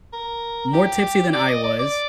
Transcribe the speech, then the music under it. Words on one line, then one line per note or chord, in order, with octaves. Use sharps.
more tipsy than I was,
A#4
G4
D5
D#5
D5
D5